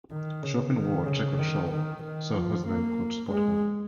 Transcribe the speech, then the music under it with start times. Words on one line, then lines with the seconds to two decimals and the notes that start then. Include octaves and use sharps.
She often wore a checkered shawl so her husband could spot her.
0.11 D#3
0.43 C#3
0.75 D#3
1.07 C#3
1.39 D#3
1.72 D#3
2.04 D#3
2.35 F3
2.68 A#3
3.32 G#3